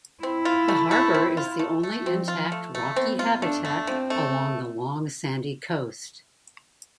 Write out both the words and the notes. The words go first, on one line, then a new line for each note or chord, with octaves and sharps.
The harbor is the only intact rocky habitat along the long sandy coast.
C4 E4
F4
A3
A3
C4
F4
A3
A3
F3 C4
F4
A3
A3
B3 C4
F4
A3 D4
A3
F3 C4
A3